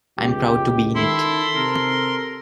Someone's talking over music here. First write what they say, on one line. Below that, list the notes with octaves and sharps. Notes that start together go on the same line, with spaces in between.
I'm proud to be in it.
C#2 G4
D#3 E4 A4 C6
C3 A#4